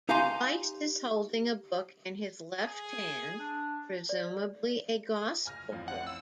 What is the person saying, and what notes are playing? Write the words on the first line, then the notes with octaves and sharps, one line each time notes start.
Christ is holding a book in his left hand, presumably a Gospel Book.
D#4 G4 F5 G#5 A#5 C6
G#4
D4
D5
G#5 F6 A#6
A1 F2 F5
F#5
E6